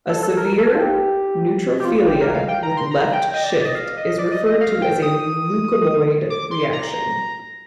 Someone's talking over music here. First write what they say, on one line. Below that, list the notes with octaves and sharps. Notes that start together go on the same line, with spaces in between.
A severe neutrophilia with left shift is referred to as a leukemoid reaction.
A4
A4
A#4
A4
F4
G4
G4
F4
G4
A#4
F5
G5
A#5
C6
A#5
G5
D#5
D5
D5
D#5
F5
D#5
D5
D#5
D#5
F5
G5
D#6
D6
C6
A#5